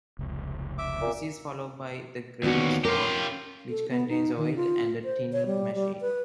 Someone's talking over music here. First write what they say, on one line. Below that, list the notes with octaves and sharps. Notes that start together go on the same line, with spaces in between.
This is followed by the grease pot, which contains oil and a "tinning machine".
F1 C#2
E5 D6
A#2
D#2 B3 C#4 D4 F#4
C#4 F4 G4 A#4
A4
B3
D#4
D#3
F4
C5
C#5
G3
G3
B4